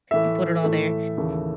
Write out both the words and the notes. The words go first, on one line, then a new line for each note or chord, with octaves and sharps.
you put it all there,
A2 E3 A3 E5
A2 E3 A3
D#2 C#3 E3 A3